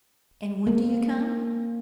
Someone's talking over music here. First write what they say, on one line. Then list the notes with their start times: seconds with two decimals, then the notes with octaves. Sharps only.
"And when do you come?"
0.67 A#3